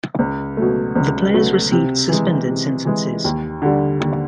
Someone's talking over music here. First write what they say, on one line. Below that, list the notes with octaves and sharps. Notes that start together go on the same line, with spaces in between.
The players received suspended sentences.
C#2
B2 F#3 A3
C#2
B2 F#3 A3
C3
E3 G#3
C3
E3 G#3
D#2
D3 G3
D#2